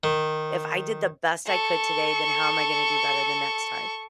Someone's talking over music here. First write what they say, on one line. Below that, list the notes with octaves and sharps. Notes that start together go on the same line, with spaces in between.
If I did the best I could today, then how am I gonna do better the next time?"
D#3
A4 C#6